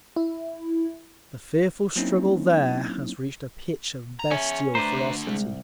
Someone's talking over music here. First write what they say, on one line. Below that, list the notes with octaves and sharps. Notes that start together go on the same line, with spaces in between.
The fearful struggle there has reached a pitch of bestial ferocity.
E4
F#3 A#3 C4 C#4 D#4 E4
A#5
C#4 G#4 E5
D3 A3 D4 B4 C5 A#5
C2 G#3